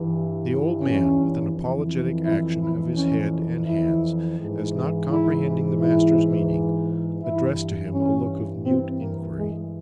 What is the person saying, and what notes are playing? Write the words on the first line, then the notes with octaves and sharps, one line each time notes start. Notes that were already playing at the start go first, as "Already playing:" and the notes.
The old man, with an apologetic action of his head and hands, as not comprehending the master's meaning, addressed to him a look of mute inquiry.
Already playing: G2 E3
C#4
F2 E3
E4
E4
C#4
E4
G#2 E3
E4
E4
G2 E3 E4
C#4
C4
A#3
G#3